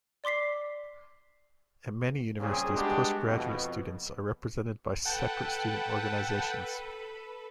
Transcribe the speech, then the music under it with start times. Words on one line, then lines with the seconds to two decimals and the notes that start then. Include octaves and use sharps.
At many universities, postgraduate students are represented by separate student organisations.
0.24 D5 C6 D6 B6 C7
2.40 A#2 C#3 G3 C4 G#4
2.75 G3 G#3 B3 D4 F#4 G4
3.26 F2 B2
5.05 A4 B4 F#5 G5 A5